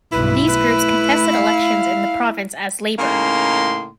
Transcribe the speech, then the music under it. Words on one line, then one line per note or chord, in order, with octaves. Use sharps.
These groups contested elections in the province as "Labour".
B1 G2 E4 B4
A3 B4
F5
A2 C#3 A#3 D#4 C6